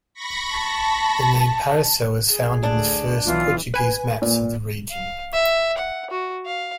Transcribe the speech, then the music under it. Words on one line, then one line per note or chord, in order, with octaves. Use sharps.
The name 'Paracel' is found in the first Portuguese maps of the region.
B5 C#6 A#6
A5
G#4
D2 A2 D4
B1 E3 F4
B4 G#5
A#2
F5
E5
F#5
F#4
F5